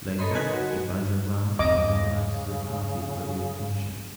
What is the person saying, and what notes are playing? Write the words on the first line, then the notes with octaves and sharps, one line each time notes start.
Later, he buys a ranch and organizes a party for the occasion.
A4 A#4 C#5 D#5 B5 C6
D#4 B4 G#5 F#6 G#6 A6
F#4
E2 C#3 F#3 C4 D#5 D6